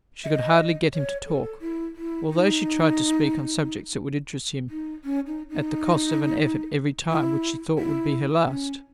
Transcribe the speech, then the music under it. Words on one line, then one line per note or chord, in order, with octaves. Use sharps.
She could hardly get him to talk, although she tried to speak on subjects that would interest him, at the cost of an effort every time which she thought would be her last.
E5
D#5
C#5
A4
E4
E4
D#4
D#4
C#4
D#4
D#4
E4
E4
C#4